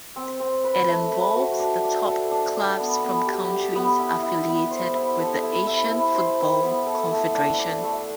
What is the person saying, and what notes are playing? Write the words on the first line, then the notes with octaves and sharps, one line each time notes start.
It involves the top clubs from countries affiliated with the Asian Football Confederation.
C4
C4
B4
A3
B4
F#4
D4
D4
A4
D4
D4
B3
B3
G4
G4
B3
E4
E4
B3
C5
E4
A4
E4
E4
E4
C5
E4
B3
A4
A3
D4
D4
A3